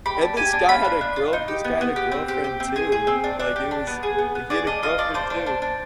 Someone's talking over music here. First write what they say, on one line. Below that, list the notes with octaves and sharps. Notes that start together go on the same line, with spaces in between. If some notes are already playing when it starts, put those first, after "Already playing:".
And this guy had a girl this guy had a girlfriend too. Like, it was like, he had a girlfriend too.
G4 B5
D4
G4 G#5
D4
F4 B5
D4
D4
F4
D#4
G4
B3
B3
G4
C4
G4
G4
C4
G#4
G#4
C4
D4
D4
G4
D4
B3
G#4
B3
B3
G#4 D5
D4 D#5
F4 D#5
D4 D5
D4 C5
D4
D4
D4